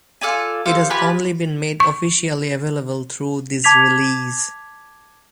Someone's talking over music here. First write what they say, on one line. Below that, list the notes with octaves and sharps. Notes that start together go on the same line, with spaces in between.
It has only been made officially available through this release.
F4 A4 D5 G#5
G4 A4 C5 F5
F4 G4 B4 G#5
C#6
A5 D6 G#6 B6 F7